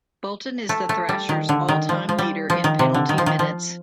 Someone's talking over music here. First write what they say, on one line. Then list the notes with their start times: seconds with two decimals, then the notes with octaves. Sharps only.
Bolton is the Thrashers' all-time leader in penalty minutes.
0.69 A3
0.89 A3
1.09 G3
1.29 D#3
1.49 D3
1.69 D#3
1.89 F3
2.09 F3
2.19 G3
2.50 F3
2.64 D#3
2.79 C3
2.94 D3
3.09 D#3
3.18 F3
3.26 D#3
3.39 F3